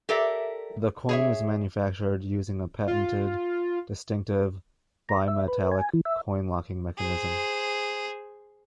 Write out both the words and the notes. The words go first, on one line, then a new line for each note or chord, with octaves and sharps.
The coin is manufactured using a patented distinctive bimetallic coin-locking mechanism.
G4 A4 A#4 D5 E5
G#4 C#5 E5
F4
A#5
E5
B4
G#5
E3
E5
G#4 C5